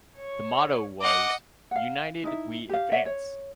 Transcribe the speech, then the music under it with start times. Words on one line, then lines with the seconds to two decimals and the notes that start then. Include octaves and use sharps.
The motto was "United We Advance".
0.18 C#5
1.01 D#5 F#5 D6
1.71 F5 F#5
2.24 D#4 E4 E5
2.69 G4 F5
2.92 C#5 D5 E5 F#5
3.06 C#5